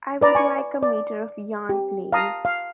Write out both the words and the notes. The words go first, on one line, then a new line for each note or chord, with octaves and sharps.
I would like a meter of Yarn, please.
B4 D5 A#5
G#5 C#6
D5
G4
F5 A5 A#5 D#6
F5